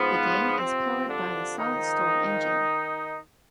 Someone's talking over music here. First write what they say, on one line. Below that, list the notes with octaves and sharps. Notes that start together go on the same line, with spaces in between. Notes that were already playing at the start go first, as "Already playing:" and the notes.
The game is powered by the Silent Storm engine.
Already playing: G#2 F3 B3
C3 F3 C4
D3 D4
G#2 D#3 F3 D#4